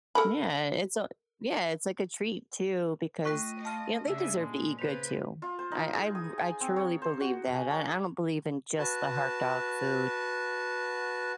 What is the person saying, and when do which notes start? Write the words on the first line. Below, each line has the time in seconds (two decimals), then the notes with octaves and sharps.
Yeah, it's a Yeah, it's like a treat too because, you know, they deserve to eat good too. I I r I truly believe that. I I don't believe in just the hard dog food,
0.15 A4 A#4 B5
3.25 A3 F4 D#5 G5 C#6 F#6 B6
3.65 F4 A5 F6
4.08 C#3 D4 E5
4.37 A#2 G#3
4.79 C#3 B4 C5 F7
5.42 F4
5.59 C5
5.72 D#4
5.94 G#4
6.15 D#6
6.38 G#5
6.60 C4
6.76 C#5
7.02 C5
7.20 F#4
7.54 G#5
7.71 C#5
8.78 F#4 B4 A5